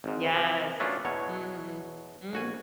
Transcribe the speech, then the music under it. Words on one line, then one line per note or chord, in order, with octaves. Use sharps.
Yes. Mm-mm hmm.
G#1 G#2
C3 F3 B3
F#3 A3 B3 C#4 D4 F4
E2 B2 F#3 C#5
A#1 F#4 G#5